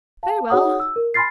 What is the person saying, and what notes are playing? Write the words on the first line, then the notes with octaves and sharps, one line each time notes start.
'Very well.
F5 A5
D#4 F#4 G#4 C#5 F#5 D#6
E6
A#4
G#5 B5 C6 F6 A6 C7